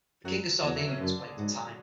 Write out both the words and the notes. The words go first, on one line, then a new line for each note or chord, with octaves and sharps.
The King of Sardinia was playing for time.
F#2 F#3 F#4
E2 F#3 F#4
E3 E4
C#3 C#4
F#2 D3 D4
G#4
G#2 F#3 F#4